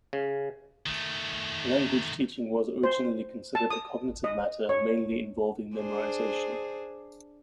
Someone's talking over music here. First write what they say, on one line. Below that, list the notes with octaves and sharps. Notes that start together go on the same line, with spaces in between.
Language teaching was originally considered a cognitive matter, mainly involving memorization.
C#3
D#3 A3
C5
A5
D#6
D#5
C#5
D4 G#4 C5